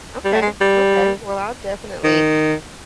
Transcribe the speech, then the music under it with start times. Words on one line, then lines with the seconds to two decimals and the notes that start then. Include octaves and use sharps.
Okay, okay, well, I'll definitely
0.25 G3
0.33 A3
0.42 G#3
0.61 G3
2.04 D#3